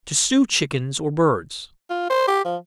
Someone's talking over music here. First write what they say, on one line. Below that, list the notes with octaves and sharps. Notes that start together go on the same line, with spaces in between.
To Stew Chickens or Birds.
F4
C5
G4
F3